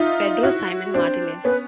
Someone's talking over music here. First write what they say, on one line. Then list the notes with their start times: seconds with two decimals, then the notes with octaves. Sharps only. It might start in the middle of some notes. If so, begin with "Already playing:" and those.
Pedro Simon Martinez.
Already playing: D#4 F4 E5
0.43 E4 F#4
0.94 C4 D4 C5
1.44 B3 C#4 B4